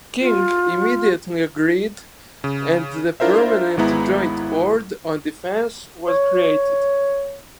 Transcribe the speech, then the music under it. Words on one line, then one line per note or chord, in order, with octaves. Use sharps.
King immediately agreed, and the Permanent Joint Board on Defense was created.
F4
C#3
D4 E4 F4 A#4 C5 E5
G#1 G#3 B3 E4 A#5
C#5